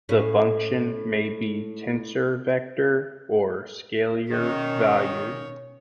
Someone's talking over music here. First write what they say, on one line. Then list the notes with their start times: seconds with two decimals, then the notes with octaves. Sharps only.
The function may be tensor-, vector- or scalar-valued.
0.09 A2 C#4
4.31 B2 D#3 C#4 C#5